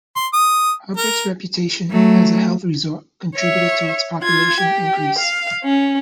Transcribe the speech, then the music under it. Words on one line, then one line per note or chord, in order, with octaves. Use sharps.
Hubbard's reputation as a health resort contributed to its population increase.
C6
D#6
A#4
F#3 A3
C#5 E5
F4 G#6
G4
F5
C#4